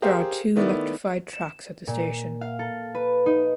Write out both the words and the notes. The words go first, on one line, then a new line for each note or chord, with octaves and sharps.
There are two electrified tracks at the station.
G4 G#4 A#4 C5 F5
D#3 A3 B3 E4 D5
E7
A#2
F5
A4
B4
D#4